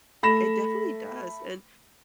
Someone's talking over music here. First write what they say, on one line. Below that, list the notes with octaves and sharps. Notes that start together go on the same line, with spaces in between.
It definitely does, and
A3 B5 A#6 E7